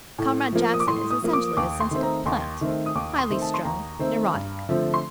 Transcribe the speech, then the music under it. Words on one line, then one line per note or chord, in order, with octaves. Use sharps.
Comrade Jackson is essentially a Sensitive Plant, highly strung, neurotic.
A2
F3 A#3
D#6
D6
A2 C6
D#6
F3 A#3
D6
D#2 D6
C6
D#3 A3 C4
A#5
D#2 C6
D#3 A3 C4
D#6
D#2 D6
C6
D#3 A3 C4
A5
C6
D#2 A#5
D#3 A3 C4
G2
D3 F3 A3 C4
C6